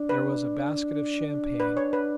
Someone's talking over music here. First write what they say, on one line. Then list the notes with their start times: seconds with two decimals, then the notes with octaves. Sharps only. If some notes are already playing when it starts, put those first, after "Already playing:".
There was a basket of champagne.
Already playing: D4
0.09 B4
1.60 B4
1.77 C#5
1.93 B4